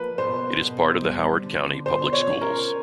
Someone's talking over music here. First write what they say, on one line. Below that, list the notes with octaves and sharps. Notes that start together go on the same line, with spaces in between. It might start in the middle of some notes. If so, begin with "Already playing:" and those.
It is part of the Howard County public schools.
Already playing: F3 A#3 A#4 B4
B2 C5
B2
G3
D3
B2 C5
C#5
C#4
A#4